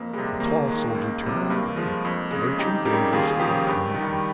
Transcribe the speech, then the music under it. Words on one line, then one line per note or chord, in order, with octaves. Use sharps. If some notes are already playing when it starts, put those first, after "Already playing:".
The tall soldier turned and, lurching dangerously, went on.
Already playing: F2 A#3
C3 G3 G#3
D#2 A#3
D#3 G#3
C#2
C3 G3
G2 A#3
F3 G#3
F2
C#3 G#3
F2 D#4 G4
C#3 G3 G4 A#4
D#2 F4 G#4
G#4
C#3 F3 G4 A#4
G2
D#3 G3